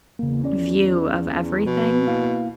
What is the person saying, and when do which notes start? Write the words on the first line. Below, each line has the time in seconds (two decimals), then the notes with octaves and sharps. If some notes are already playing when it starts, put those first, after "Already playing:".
view of everything,
0.19 E2 C#3 A#3
0.44 C#4 D5
1.65 B2 F3 B4
2.07 A#3 E4 F5